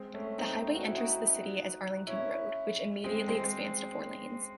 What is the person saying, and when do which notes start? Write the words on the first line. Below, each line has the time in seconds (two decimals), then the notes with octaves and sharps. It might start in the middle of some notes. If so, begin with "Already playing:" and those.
The highway enters the city as Arlington Road, which immediately expands to four lanes.
Already playing: G#3 C4
0.14 A3 C#4
0.38 C4 D#4
0.75 F#4
0.86 E4
0.97 D#4 F#4
2.07 C#4 E4
3.04 G#3 C4
3.28 G#3 C4